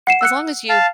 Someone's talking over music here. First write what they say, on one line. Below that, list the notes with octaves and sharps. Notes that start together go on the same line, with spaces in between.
as long as you
F#5 C7 E7
E6 F#6 C#7
F5 A5